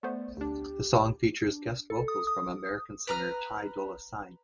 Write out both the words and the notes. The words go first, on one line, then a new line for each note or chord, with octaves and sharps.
The song features guest vocals from American singer Ty Dolla Sign.
A3 B3 C5 D5
D2 D4 G4
D4
A4
D#6
D#6
B4 A#5 F6